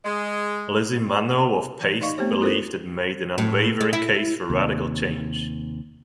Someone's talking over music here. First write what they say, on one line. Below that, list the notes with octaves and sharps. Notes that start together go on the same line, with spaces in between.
Lizzie Manno of "Paste" believed it made an "unwavering case for radical change".
G#3
E3
D#4 D5 D#5 F5 C#6
A3 B3 C4 G4 C5 C#5
C#4 E4 F4 A4 A#4 C5
A2
G#3
E4
D#2 C3